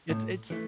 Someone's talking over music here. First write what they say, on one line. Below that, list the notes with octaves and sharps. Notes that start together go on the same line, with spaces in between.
it's it's
A2
E3 A3